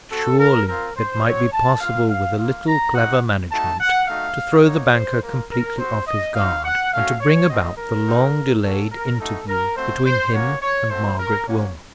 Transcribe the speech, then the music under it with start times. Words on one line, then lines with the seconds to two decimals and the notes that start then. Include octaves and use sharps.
Surely it might be possible, with a little clever management, to throw the banker completely off his guard, and to bring about the long-delayed interview between him and Margaret Wilmot.
0.11 C4 F#4 A4
0.40 A#4
0.67 C4 F4 A#4
0.97 C5
1.24 C4 F#4 C#5
1.52 A5
1.81 A#3 F4 F5
2.09 F5
2.38 A#3 F4 F5
2.67 A#5
2.94 C4 D#4 F#4 F#5
3.52 A3 D#4 F#4 A5
3.80 F#5
4.08 A3 D#4 F#4 F5
4.65 A#3 D#4 F#4 C#5
4.94 C5
5.22 A#3 F4 A#4
5.51 A#4
5.79 C4 F#4 C5
6.07 D#5
6.36 C4 D#4 F#4 F5
6.65 F#5
6.92 A3 C#4 F#4 F5
7.21 C#5
7.49 A3 C4 F#4 D#5
7.78 A#4
8.06 C4 D#4 F#4
8.63 A#3 C#4 F#4 A4
8.91 A#4
9.19 A3 D#4 F#4 A4
9.48 A#4
9.76 A3 C4 F#4 C5
10.05 C5
10.33 A#3 C#4 F#4 C#5
10.62 C#5
10.90 A3 C4 F#4 C5
11.19 A#4
11.47 A#3 C#4 F#4 C#5